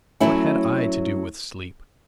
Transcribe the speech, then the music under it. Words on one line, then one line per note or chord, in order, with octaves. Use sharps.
What had I to do with sleep?
F#3 A3 C#4 E4